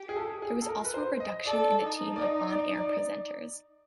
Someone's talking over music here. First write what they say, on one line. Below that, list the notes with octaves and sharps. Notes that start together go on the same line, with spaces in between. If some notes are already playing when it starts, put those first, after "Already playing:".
There was also a reduction in the team of on air presenters.
Already playing: G4
G#4
A4
G#4
A4
A#4
B4
C5
D#5
A4 D5
D#4
D5
D#5
D5
D5